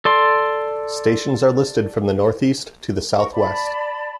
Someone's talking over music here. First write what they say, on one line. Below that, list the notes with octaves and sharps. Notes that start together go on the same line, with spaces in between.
Stations are listed from the northeast to the southwest.
A4 D5 C6
A#4 F#5 C#6
D5 A5 B5